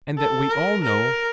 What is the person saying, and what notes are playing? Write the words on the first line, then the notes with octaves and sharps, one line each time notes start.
And that we all know.
A4
A#4
A#4